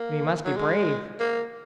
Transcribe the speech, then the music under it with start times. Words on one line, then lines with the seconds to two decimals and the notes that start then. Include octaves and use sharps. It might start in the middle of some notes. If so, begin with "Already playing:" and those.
We must be brave.
Already playing: A#3
0.45 F#3
0.56 G#3
1.19 A#3